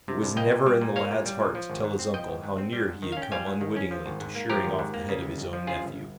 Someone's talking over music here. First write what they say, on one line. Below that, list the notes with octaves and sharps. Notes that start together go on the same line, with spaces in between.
It was never in the lad's heart to tell his uncle how near he had come unwittingly to shearing off the head of his own nephew.
C3
C2
A#3 D#5 G5
A#2
G3
A#2
A#3 C#5 F5
A#2
G3
A#2
F3
G#1
G#2
C4
F3 D#5 G5
G#1
G#2
C4
G3
G#2
D#3
C#4 F5
G5
G3 F5 G#5
G#2
D#3
C#4
F3
G#1
G#2
A#3
F3 G4 A#4
G#1
G#2
A#3
C#3
G1
F2
F3
C#3 F4 G#4
G1